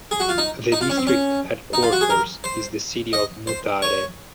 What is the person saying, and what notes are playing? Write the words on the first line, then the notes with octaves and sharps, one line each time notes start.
The district headquarters is the city of Mutare.
G#4
F#4
F4
D#4
D#4
F4
C#4
C4
C#4
D#4
F4
F#4
G#4
A#4
C5
D#5
C5
C#5